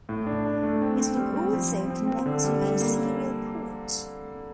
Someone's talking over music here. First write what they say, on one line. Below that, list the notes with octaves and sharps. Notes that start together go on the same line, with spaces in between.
It can also connect to a serial port.
A2
D4
D4
A3
C4
C4
G3
C4
F3
C4
C4
C4
D3
G3
G3
A#3